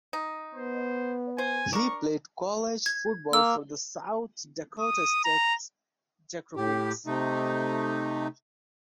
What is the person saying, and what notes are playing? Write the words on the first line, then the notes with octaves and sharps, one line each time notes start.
He played college football for the South Dakota State Jackrabbits.
D#4
B3 C5
C5 G#5
D4 A#4 C#6
G#6
A#3 E6
D#6
A#5
A2 G4
C3 A3 D#4